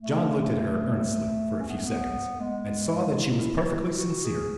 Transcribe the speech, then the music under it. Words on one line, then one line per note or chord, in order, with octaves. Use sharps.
John looked at her earnestly for a few seconds, and saw that she was perfectly sincere.
A3
C#4
B3
A3
B3
G#3
E4
F#4
G#4